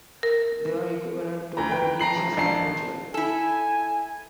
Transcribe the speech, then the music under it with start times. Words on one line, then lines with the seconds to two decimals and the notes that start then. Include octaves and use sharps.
They are equivalent to "freguesias" in Portugal.
0.23 A#4
1.57 D2 A#5
1.71 B4 G5
1.99 A5 A#5 C7 F#7
2.37 A#1 A5 C7
3.14 E4 A4 G#5